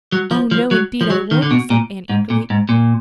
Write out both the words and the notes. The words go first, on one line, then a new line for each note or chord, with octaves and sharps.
"Oh, no, indeed, I won't," said Anne eagerly.
F#3
F3
F3
F#3
F3
F#3
D#3
D3
B2
A#2
G#2
A#2
G#2
A#2